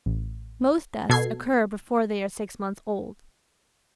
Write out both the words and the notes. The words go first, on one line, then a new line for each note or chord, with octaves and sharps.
Most deaths occur before they are six months old.
A1
B2 A4 G#6 C7